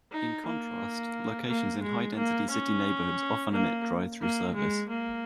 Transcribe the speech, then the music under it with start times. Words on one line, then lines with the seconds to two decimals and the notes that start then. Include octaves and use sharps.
In contrast, locations in high-density city neighborhoods often omit drive-through service.
0.12 D#4
0.46 A#3
1.48 A#3
1.82 G#3
2.17 A#3
2.50 C#4
3.53 A#3
4.21 A#3
4.55 G#3
4.89 A#3